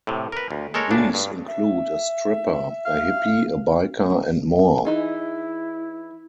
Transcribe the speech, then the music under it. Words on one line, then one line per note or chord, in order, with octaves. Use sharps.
These include a stripper, a hippie, a biker, and more.
A2 C3
A#4 B4
D2
G#3 A4 A#4 C#5
D2 C#3 D4
G2
E5
F5
E3 D#4 E4 G#4